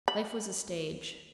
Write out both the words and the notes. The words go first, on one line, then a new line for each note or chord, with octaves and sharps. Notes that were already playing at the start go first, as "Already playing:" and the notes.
Life was a stage.
B5